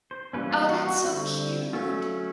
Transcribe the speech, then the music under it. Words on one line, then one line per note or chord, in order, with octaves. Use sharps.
Oh, that's so cute.
C5
E3 G3 A#3 C#4 B4
F4
F#4
F#4
D3 G3 C4
F#3 A3 C#4 F4